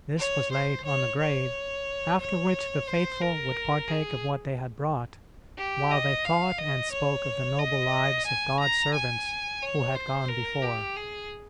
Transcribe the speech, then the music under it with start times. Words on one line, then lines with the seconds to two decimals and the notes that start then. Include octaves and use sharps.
This was laid on the grave, after which the faithful would partake of what they had brought, while they thought and spoke of the noble lives of God's servants who had gone before.
0.19 C#5
0.52 C5
0.86 C#5
1.19 C#5
2.21 C#5
2.88 C5
3.22 A#4
3.89 G#4
5.58 G4
5.91 D#5
6.25 F5
6.58 D#5
6.92 C#5
7.59 D#5
8.26 G#5
8.60 A#5
8.94 G#5
9.62 C#5
9.95 C5
10.29 A#4
10.62 G4
10.97 G#4